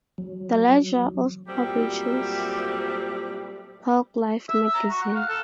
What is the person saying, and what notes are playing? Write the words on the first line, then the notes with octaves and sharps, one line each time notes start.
"The Ledger" also publishes "Polk Life" magazine.
F#3
A#2 F#3 G3 A3 C4 G4
E5
A#5
F#4
F#5
F5
A4